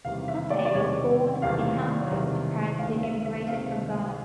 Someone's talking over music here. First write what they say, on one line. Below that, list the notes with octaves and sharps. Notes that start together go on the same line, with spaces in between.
Conteh was born in Hamburg to parents who emigrated from Ghana.
E1 E2 C3 D#3 G3 F5
E5
D5
D5
E1 E2 C3 D#3 G3 C#5
E1 E2 C3 D#3 G3 F5
E1 E2 C3 D#3 G3
C#2 C3 D#3 F5
E5
E5
C#2 C3 D#3 F5